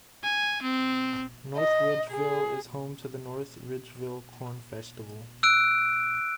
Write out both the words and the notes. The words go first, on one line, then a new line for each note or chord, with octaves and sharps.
North Ridgeville is home to the North Ridgeville Corn Festival.
G#5
C4
D#5
G#4
E6 F#6 D7